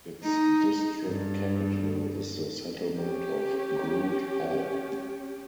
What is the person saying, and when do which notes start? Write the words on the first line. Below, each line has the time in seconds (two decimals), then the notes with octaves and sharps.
Its district capital is the settlement of Groot Aub.
0.23 D#4
1.06 G2
2.94 C#4 G4